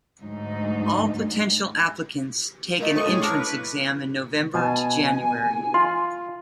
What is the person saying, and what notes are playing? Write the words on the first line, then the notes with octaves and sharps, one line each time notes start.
All potential applicants take an entrance exam in November to January.
D2 G#2 F#3 D#4
A3 A#3 D#4
F2 F3 A5 C#6 D#6
A2 C#4 G#4
A#3 D4 A#4 F5 C#6 D6
B4
B2 G#5 A5
F4 C6